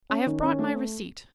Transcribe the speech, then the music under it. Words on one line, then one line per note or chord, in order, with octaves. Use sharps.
"I have brought my receipt."
C#4
D#3
C#4
A3